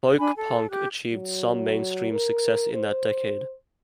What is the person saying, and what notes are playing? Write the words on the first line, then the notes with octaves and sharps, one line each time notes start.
Folk punk achieved some mainstream success in that decade.
D4 G#5 B5
A4
G4 F#6
F#3
A#4
C5